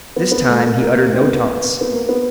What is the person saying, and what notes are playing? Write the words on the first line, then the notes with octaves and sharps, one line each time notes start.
This time he uttered no taunts.
B3
B3
A3
A#3
A#3
A#3
C4
B3
A#3
B3
B3
A#3
B3